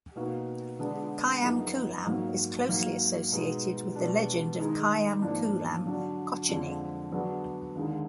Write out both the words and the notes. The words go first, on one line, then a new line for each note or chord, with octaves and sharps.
Kayamkulam is closely associated with the legend of Kayamkulam Kochunni.
B2 A#3 D#4 F#4
D3 G#3 B3 D4
F#2 F3 B3 D#4 G#4
G#2 F#3 A#3
G#2 F#3 A#3
B2 G#3 D#4 F#4
B2 G#3 D4
D#3 G#3 D#4 G#4
G#2 F3 A#3 D4
D3 F#3 D4
F2 D3 F3 G#3
D3 F#3 B3 D4 G#4
D#2 D3 G#3 D#4